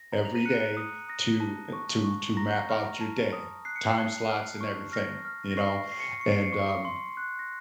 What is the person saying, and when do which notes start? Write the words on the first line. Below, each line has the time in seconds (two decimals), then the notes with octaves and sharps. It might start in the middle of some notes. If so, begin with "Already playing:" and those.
every day to, uh, to to map out your day, time slots and everything. You know? And, um,
Already playing: A#6
0.12 A#5 F#7
0.25 F7
0.36 D#7
0.46 F#6 C#7
0.77 D#6
1.08 D#6 A#6
1.40 A5
1.73 C#6
2.04 C#6
2.37 A#5 A#6
2.69 F6
3.01 A5
3.33 D#6
3.65 F#6 C7
3.76 C#7
3.87 C7
3.97 A5
4.29 F6
4.61 C#6
4.92 F6 A#6
5.25 F6
5.51 A#6
5.57 C#6 C7
5.88 C#6 C7
6.00 C#7
6.20 C#6 C#7
6.32 C7
6.42 C#7
6.53 C#6
6.85 C6
7.17 F#6
7.39 A#6